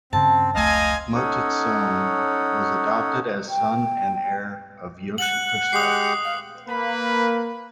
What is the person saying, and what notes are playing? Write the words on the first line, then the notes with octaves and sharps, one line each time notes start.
Mototsune was adopted as son and heir of Yoshifusa.
G2 C#3 C4 A5
F1 C#2 A3 C4 D#5 F5 G#5 A#5
C#4 D#4 A4 C#5 F#5
G5
F#5 F#6 F#7
G#3 G4 D#6 C7
F5
A#3 B4 B5